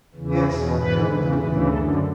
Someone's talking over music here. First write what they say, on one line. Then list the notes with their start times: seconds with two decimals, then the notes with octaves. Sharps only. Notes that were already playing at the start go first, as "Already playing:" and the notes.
'Yes; I have a little headache.'
0.14 E2 C#3 E3
0.45 E2 B2 G#4
0.75 G#2 E3 B4
1.07 E2 C#3 E3
1.37 D2 C#3 E3 B4
1.68 F#2 D3 A4